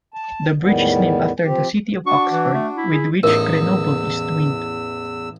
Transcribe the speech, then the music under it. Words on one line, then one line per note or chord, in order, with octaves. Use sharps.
The bridge is named after the city of Oxford, with which Grenoble is twinned.
A5
E2 A2 D#3 G3 B3
F3 C4 G4
D4 F#4 C#6
E3
A3
E4
G#4
A1 E2 D#4 A#4 E6